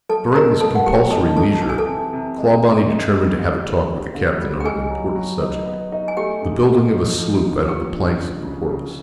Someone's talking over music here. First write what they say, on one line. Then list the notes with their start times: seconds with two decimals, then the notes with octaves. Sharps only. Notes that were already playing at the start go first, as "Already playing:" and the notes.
During this compulsory leisure, Clawbonny determined to have a talk with the captain on an important subject--the building of a sloop out of the planks of the Porpoise.
0.09 F#3 A4 A5
0.35 D#4 A#4 A#5
0.60 B3 A4 A5
0.75 F#5
0.86 F#3 G4 G5
1.11 D#4 A4 A5
1.36 F#3 A4 A5
1.62 E3 A5
1.69 G#5
1.78 A4 A5
1.86 C3
2.13 C3
2.38 G#3
2.63 C3
2.88 G#3
3.13 G3
3.39 D3
3.65 G3
3.89 B3
4.15 D3
4.40 G3
4.60 G5
4.65 D#4 G#4 G#5
4.90 F#3
5.15 F#3
5.41 D#4
5.66 B3
5.92 D#4
6.08 G#5
6.17 A3 G4 G5
6.42 G#2
6.68 A3
6.93 F3
7.18 F3
7.44 F3
7.68 B3 G4 G5
7.95 D4
8.20 C#3
8.45 C#3
8.70 C#3